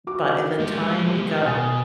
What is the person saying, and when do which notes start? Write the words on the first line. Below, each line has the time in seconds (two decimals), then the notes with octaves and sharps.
but at the time it got
0.07 F#4 D6
0.59 A2 G#3 G4
1.45 B2 G#5 D#6 A6